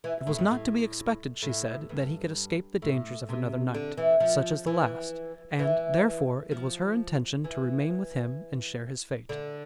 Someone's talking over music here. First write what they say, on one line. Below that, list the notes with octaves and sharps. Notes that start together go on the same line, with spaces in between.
It was not to be expected, she said, that he could escape the dangers of another night, such as the last; and therefore it was her intention to remain with him, and share his fate.
E3
A2
G2
A2
A2
G2
A2
C3
D3
E3
F3
E3
E3
F3
E3
D3